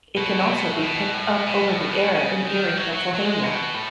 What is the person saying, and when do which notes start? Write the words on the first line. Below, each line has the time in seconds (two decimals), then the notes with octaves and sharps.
It can also be picked up over-the-air in Erie, Pennsylvania.
0.17 B2
0.40 C#3
0.49 B2
0.70 A2
0.82 B2
1.14 A2
1.47 B2
1.68 A2
1.90 B2
2.12 C#3
2.45 D#3
2.77 F#3
2.93 F#3
3.15 F#3
3.25 G#3
3.42 B2
3.74 A2